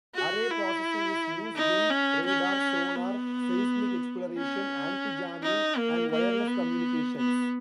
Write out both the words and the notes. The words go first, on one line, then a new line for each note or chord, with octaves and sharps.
Array processing is used in radar, sonar, seismic exploration, anti-jamming and wireless communications.
F#4
E4
D#4
C#4
C#4
B3
C#4
D#4
A#3
A#3
B3
B3